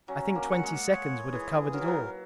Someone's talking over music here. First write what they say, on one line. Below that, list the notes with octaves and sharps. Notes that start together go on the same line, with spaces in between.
I think twenty seconds would have covered it all.
F#3 C#4
A#3
F#5
G#3
C#5
E3 G#4
F#3 A#4
E3
F#3